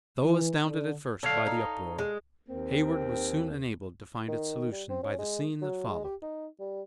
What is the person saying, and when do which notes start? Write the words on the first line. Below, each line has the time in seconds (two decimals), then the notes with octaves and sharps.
Though astounded, at first, by the uproar, Heyward was soon enabled to find its solution by the scene that followed.
0.24 E3
0.65 D3
1.23 D3 A4 C#5 F5
1.46 D#4
1.99 G#3
2.49 D#2 A#3 C4
4.28 D#3
4.72 G3
4.90 C4
5.03 C#4
5.18 G#3
5.62 F#3
5.90 G#3
6.04 G4
6.22 D#4
6.60 G3